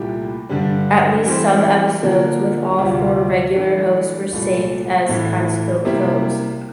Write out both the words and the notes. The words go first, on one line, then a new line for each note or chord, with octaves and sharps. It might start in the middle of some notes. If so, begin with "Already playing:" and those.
At least some episodes with all four regular hosts were saved as kinescope films.
Already playing: C2 A#2 A3 E4 G4
G2 D3 G3 D4
E3 G3 C4 G4 C5
D3 F3 A#3
D2 C3 G3 C4 F4
E3 A3 D4
C2 A#2 A3
A2 E3 A3
C3 G3 A#3 E4